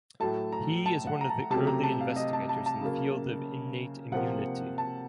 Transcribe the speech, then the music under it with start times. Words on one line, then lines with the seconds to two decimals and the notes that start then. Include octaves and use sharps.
He is one of the early investigators in the field of innate immunity.
0.20 A2 F#3 A3 A5
0.52 A#5
0.86 A5
1.07 F#5
1.21 A#5
1.29 A5
1.50 C3 F#3 A3 A5
1.67 A#5
1.83 A5
2.01 F5
2.16 D#5
2.33 A5
2.49 A5
2.66 A5
2.81 C#3 F#3 A#3
4.12 C3 F3 A#3 F#5
4.78 A5